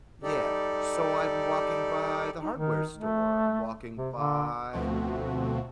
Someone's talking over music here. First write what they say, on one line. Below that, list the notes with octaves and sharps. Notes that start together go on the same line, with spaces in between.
Yeah, so I'm walking by the hardware store, I'm walking by
G3 D#4 G4 A4 D5
D#4
D#3
A3
C3
D3
D2 B2 F3 A3 C4 F#4